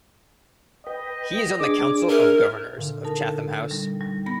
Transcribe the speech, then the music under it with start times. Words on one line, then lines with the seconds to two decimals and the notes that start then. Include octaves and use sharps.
He is on the council of governors of Chatham House.
0.86 B4 D#5 G5
1.60 D4 G#4 D6
2.09 A#4 E5
2.77 A#2 D3
3.04 D#4 A#4 A5
3.71 G3 D#4
4.01 G3
4.26 B3 B5 A#6